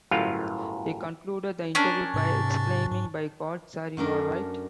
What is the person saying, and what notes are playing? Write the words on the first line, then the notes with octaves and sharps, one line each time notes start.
He concluded the interview by exclaiming By God, Sir, you are right.
G1 F#2 A2 F4 F5
C#4 D4 A#4
G#2 C3 A6
G#2
F#2 A3 D4 A#4